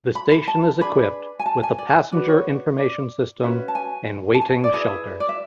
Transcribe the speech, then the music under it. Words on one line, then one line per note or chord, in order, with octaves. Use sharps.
The station is equipped with a passenger information system and waiting shelters.
B5
B5
A5
D4 G#4 B4 B5
G#5
A5
G#5
D5
D4 F#4 B4 D5
C#5
D5
C#4 F#4 B4 E5
A5
G#5
A5
G#5
D5
E4 G#4 B4 E5
D5
E5